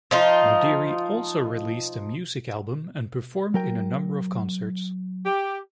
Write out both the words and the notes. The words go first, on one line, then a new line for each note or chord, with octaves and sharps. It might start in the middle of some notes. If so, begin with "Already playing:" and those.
Modiri also released a music album and performed in a number of concerts.
F3 D#4 F4
F#3 A#4 G5
G4